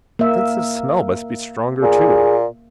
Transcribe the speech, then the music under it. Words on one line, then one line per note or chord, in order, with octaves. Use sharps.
Sense of smell must be stronger too.
A#3 E5
A#2 G#4